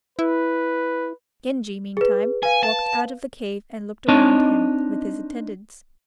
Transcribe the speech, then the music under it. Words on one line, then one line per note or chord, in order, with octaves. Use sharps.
Genji, meantime, walked out of the cave and looked around him with his attendants.
E4 B4
G#4 B4
B4 F5 G#5
A5
C4 D4 D#4 C#5 D#5 A5